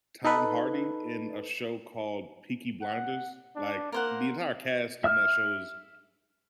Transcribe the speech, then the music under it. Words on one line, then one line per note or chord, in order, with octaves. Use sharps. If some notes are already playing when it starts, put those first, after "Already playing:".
Tom Hardy in a show called Peaky Blinders, like, the entire cast in that show was
D#4 A4 B4
F#5
D4
A#3 A#4 C5 F#5
E5 E6 F6